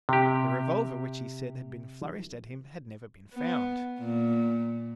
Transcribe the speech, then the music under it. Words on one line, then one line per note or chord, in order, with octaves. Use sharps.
The revolver which he said had been flourished at him had never been found.
C3 G4
B3
A#2